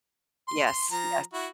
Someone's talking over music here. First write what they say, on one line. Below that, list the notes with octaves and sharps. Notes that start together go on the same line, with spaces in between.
Yes, yes.
C6
C6
F3 A#5
E4 F#4